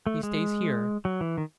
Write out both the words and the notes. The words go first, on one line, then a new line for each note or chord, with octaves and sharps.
He stays here.
A3
G#3
F#3
E3
D#3